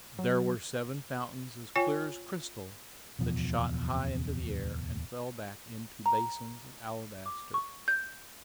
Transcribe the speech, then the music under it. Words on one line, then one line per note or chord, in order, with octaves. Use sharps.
There were seven fountains as clear as crystal that shot high into the air and fell back into basins of alabaster.
F#3
F4 C#5 G5 G#5
D1 E2 B2 F3
A#5
D6
C#6
G6